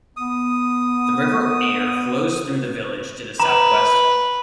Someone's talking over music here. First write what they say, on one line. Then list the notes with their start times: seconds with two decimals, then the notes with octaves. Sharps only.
The River Aire flows through the village to the south-west.
0.17 B3 D#6
3.40 B4 A#5